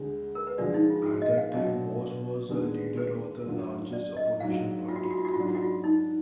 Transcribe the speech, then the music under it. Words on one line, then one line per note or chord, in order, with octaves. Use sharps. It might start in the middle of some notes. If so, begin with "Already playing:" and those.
At that time Bos was the leader of the largest opposition party.
Already playing: D2 D3 G#3
A#4
B4
D3 F3 G#3 D5
D#4
F4
F#4
D#5
F5
B2 F#3 D4 F4 D#5
D#2 D3 G#3 B3 D4
B4
F#2 D3 F#3 D4 F4
D5
D#5
G#2 F#3 D4 F4 F5
F4
F#4
F4
F#4
F4
F#4
F4
G#2 F#3 D4 F#4
F4
F#4
F4
D#4